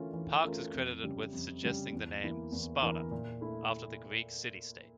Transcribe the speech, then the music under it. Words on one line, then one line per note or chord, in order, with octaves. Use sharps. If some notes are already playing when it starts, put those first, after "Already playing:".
Parks is credited with suggesting the name "Sparta", after the Greek city-state.
Already playing: E3 A3 C#4 F4 A#4
E3
A3 C#4 F4 A#4
F2
C#3 G3
F2
C#3 G3
E2
E3 A#3 E4 A#4
E2
E3 A#3 E4 A#4
A#2
A3 E4